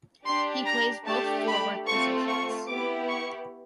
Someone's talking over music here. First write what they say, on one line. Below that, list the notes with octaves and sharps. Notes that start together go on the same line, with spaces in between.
He plays both forward positions.
D4 G4 C6
A#5
A3 D4 G4 A5
B5
A3 C4 F4 A4 C#6
C#6
B3 E4 G4 D6
C#6